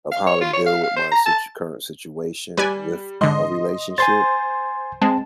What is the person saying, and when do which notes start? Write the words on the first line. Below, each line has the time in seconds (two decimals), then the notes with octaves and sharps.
of how to deal with my situ current situation with a relationship
0.11 F5
0.27 C#5
0.41 F4
0.53 C#5
0.66 F5
0.84 F5
0.96 C5
1.12 A#5
1.26 A5
2.57 G3 B4 D5 G#5
3.21 G#2 D3 D#5 C6
3.98 C5 G#5 C6 A6
5.02 G#3 C4 A5